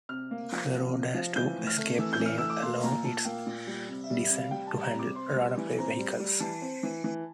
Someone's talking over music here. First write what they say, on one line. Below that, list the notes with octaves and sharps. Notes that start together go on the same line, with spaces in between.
The road has two escape lanes along its descent, to handle runaway vehicles.
C3 F6
A#3
F3
C3
C3
F3
E3 G6
A2
F6
A3
E3 E6
G6
E3
F6
A3 E6
D6
A#3 C6
A#2 A#5
A#2 A5
A#3 G5
A#2
G3
C3
E5
G3
E5
C3
F5
G3 G5
A5
G3
A#5
C3 D6
C4 C6
G3
E3
C4 A#5
G3
G3
E3 A5
C4
E3
E3